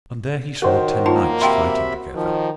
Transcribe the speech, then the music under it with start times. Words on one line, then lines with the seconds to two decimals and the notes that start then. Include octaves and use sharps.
And there he saw ten knights fighting together.
0.62 D#3 F#4 A#4 C5 C#5
1.06 A#3 D#4 F4 A5
1.41 C3 E5 F#5 G5 B5 C6
2.15 D#3 F3